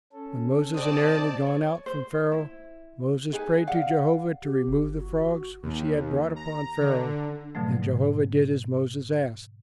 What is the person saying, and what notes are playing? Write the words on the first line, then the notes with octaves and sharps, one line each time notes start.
When Moses and Aaron had gone out from Pharaoh, Moses prayed to Jehovah to remove the frogs which he had brought upon Pharaoh; and Jehovah did as Moses asked.
C#4 A4
C3 C4 C5 D5 D#5 A5 D#6
C#5
C5
E4
D#4 G#4 B4 G#5
D5 F5 F#5
G4
G1
F#4
D#2
A#5
D3
G#2 B2 D3 F3 F#3 A3